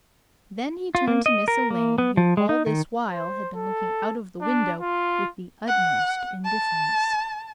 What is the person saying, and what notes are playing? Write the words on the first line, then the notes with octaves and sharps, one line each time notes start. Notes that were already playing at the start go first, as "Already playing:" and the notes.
Then he turned to Miss Elaine, who all this while had been looking out of the window with the utmost indifference.
F4
A#3
D#5
A#4
A#3
B3
F3
G#3
D#4
D#3
C5
A4
D4
F4
F#5
A5